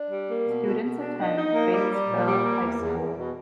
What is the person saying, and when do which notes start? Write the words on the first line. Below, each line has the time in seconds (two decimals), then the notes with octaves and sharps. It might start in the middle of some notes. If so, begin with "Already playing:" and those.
Students attend Batesville High School.
Already playing: D4
0.09 G3
0.28 A#3
0.46 B2
0.64 B2
0.82 B2
1.00 D4
1.18 D#4
1.36 D#4
1.54 A#3
1.72 G3
1.91 G3
2.08 A#2
2.27 G3
2.45 A#3
2.63 E2
2.81 E2
2.99 E2
3.17 B2